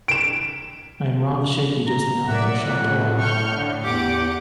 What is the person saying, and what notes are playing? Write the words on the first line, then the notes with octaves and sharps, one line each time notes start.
I am rather shaky just now, but shall pull up.
D7 E7
A#5
A2 A#3 D5 E5 F#5
F2 F#3
C#6 F6 G6
D3
E2 G4 F#5 D6